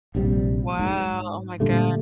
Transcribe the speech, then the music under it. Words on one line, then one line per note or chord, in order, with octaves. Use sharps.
Wow, oh my gosh.
A#1 C3 F3 G3
G#2
A#2 D3 G3 A3